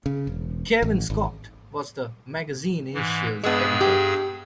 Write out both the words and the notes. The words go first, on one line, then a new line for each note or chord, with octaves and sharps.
Cavan Scott was the magazine's initial editor.
C#3
E1
A1
G#1
G#2 E3
G2 G#3 B3 G#4 E6
G4